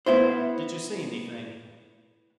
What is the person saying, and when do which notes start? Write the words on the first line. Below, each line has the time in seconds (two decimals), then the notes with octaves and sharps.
'Did you see anything?'
0.06 B3 E4 C5